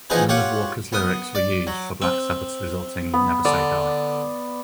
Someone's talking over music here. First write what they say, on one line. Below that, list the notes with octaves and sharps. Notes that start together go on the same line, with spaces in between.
None of Walker's lyrics were used for Black Sabbath's resulting Never Say Die!
E3 F3 B3 D#4 G#4 B4
F4 G4 C#5 F#5
B3 D#6
D5
F#3
C4
B3
D3 D5